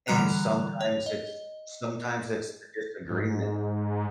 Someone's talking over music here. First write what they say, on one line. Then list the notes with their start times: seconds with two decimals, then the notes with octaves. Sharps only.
And sometimes it's sometimes it's the disagreement.
0.07 D3 E3 G3 A#5 F#6 F7
0.81 C#5
1.06 D#5
3.10 G#2